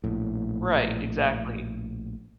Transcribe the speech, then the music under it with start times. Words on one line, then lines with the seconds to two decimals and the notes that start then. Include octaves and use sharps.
right, exactly.
0.04 A#1 A2